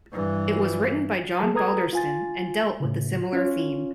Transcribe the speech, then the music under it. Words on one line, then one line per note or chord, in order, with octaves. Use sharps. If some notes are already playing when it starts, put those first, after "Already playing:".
It was written by John Balderston and dealt with a similar theme.
G2 E3
F#3 G#4 A5
A4 B4 A#5 D#6 G#6
F4 G#5 A6
A2 C#3
C#4 F4 C#5